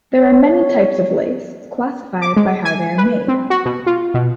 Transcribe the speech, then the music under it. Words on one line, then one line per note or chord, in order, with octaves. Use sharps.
There are many types of lace, classified by how they are made.
C#5
D6
G#3
G#5
B4
C4
F#4
B2
F4
B2